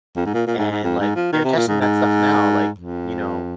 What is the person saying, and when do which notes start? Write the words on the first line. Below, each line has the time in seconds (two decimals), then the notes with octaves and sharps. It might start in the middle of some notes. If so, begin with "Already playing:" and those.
and, like, they're testing that stuff now, like, you know,
0.16 F2
0.26 G#2
0.34 A#2
0.47 A#2
0.58 G#2
0.71 G#2
0.84 F2
1.00 G#2
1.16 F3
1.32 D#3
1.44 C3
1.56 A#2
1.68 G#2
1.81 G#2
2.79 F2